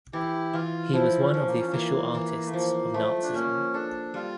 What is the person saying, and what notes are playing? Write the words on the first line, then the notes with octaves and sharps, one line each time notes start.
He was one of the official artists of Nazism.
E3 E4 G4
E3 F4
F3 E4
C#4
F3
A#3
C#4
E3 A#3
E3
A3
F3 A#3
F3 A3
D4
A#3 C#4
D4 A4
G3 F4